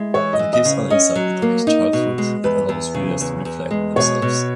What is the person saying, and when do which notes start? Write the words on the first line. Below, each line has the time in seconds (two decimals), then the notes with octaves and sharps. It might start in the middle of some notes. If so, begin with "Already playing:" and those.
It gives an insight into his childhood and allows readers to reflect themselves.
Already playing: G#3 E4
0.14 E3 C#5
0.33 D#5
0.39 E3
0.53 D#5
0.65 C#3
0.90 C#4 D#5
1.15 F#3
1.42 A#3
1.67 D#4
1.93 B2
2.18 G#3
2.44 E2 B4
2.69 E2
2.94 C#3
3.21 E2
3.45 E2
3.71 G#3
3.96 B2 C#5
4.22 B2